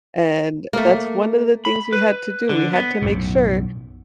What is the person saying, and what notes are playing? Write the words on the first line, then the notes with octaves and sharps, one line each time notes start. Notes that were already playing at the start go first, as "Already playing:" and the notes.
and that's one of the things we had to do. We had to make sure
A3 A#3
B5
B4
D3
B3
B1 F#2 A2